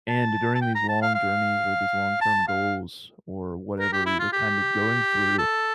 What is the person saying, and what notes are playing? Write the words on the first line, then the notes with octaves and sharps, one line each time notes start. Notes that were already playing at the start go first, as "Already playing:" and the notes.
And during these long journeys or these long-term goals or whatever you're kind of going through,
A5
A5
G5
A#5
A5
F5
F5
A5
F5
A#4
G4
E4
F4
G4
A4